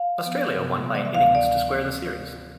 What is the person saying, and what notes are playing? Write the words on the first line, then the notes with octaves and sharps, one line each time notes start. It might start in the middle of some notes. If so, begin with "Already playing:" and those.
Australia won by an innings to square the series.
Already playing: F5
F3 B3
C3
E3 G3 B3
D5
E5
D2 F5
D5